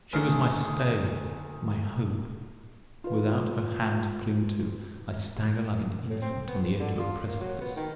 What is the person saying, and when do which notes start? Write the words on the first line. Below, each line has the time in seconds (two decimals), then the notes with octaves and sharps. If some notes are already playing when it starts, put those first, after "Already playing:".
She was my stay, my hope: without her hand to cling to, I stagger like an infant on the edge of a precipice.
0.13 D2 D#3 G#4
3.04 F4 B4
6.09 A2
6.21 C4
6.48 B3
6.62 A#2
6.79 D3
6.99 F4
7.26 A#3
7.40 F#3
7.61 B3
7.76 D#3